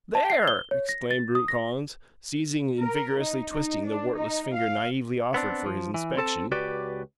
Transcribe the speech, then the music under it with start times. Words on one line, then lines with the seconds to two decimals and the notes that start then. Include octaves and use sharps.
"There!" exclaimed Rupe Collins, seizing and vigorously twisting the wartless finger naively offered for his inspection.
0.15 A5
0.30 C7
0.48 G7
0.71 C#5
0.89 A#6
1.11 A6
1.35 D#6
1.48 A#6
2.80 A#4
3.20 D#4
3.53 D#4
3.86 D4
4.17 D#4
4.54 F5
5.34 B3 C4 D4
5.66 F3
5.94 E3
6.17 C4 A4 A5
6.52 C#2 F#4 G4 B4 D5